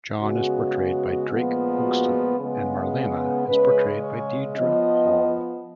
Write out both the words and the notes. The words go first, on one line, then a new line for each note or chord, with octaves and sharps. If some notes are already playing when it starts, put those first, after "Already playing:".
John is portrayed by Drake Hogestyn and Marlena is portrayed by Deidre Hall.
C#3 G#3 B3 F#4
A#2 F3 G#3 B3
F#4
C#3 G#3 B3
C#3 G#3 C#4 B4
C#5
F3 B3 D#5